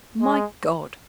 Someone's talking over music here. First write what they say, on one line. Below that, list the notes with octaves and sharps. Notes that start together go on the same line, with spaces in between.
My God!
G#3